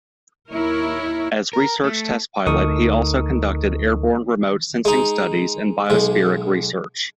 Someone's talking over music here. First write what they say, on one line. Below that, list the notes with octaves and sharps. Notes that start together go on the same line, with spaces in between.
As research test pilot he also conducted airborne remote sensing studies in biospheric research.
D#2 E4 A#4 C#5
A#4
A3
D2 D#4 A4 A#4 C#6 D#6
G#3 D#4
B1 G#3